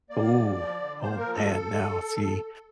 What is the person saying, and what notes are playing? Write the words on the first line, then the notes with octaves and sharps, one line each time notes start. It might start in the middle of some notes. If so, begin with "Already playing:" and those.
Ooh, oh man, now, see
A#3 D5
F3
F3
D3
A#3 C5
A#4
F3
A4